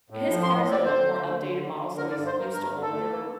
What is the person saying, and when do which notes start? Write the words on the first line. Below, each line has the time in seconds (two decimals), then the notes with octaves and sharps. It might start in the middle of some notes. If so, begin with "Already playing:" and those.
his car is a more updated model, so he's used to older
0.10 A2
0.29 F3
0.43 C6
0.47 A2
0.57 D#5
0.66 C4
0.71 D5
0.85 D3 C5
1.04 A3
1.22 D3
1.42 D3
1.60 D3
1.78 D3
1.97 D3 A#4
2.11 D5
2.16 G2
2.26 C5
2.35 G2 A#4
2.53 G2 A#4
2.72 D3
2.82 A4
2.91 A3
3.10 A#3